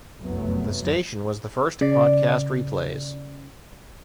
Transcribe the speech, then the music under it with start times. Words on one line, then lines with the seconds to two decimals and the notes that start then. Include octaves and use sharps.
The station was the first to podcast replays.
0.20 F1 C2 F#2 F#3 A3 B3
1.81 C#3 D5